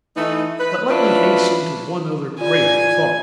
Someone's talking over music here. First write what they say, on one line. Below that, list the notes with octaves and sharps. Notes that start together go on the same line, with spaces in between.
But let me hasten to one other greater thought.
E3 A3 D#4
B4
D2 C#4 D4 E4 F4 B4
F4 D5 G#5 G#6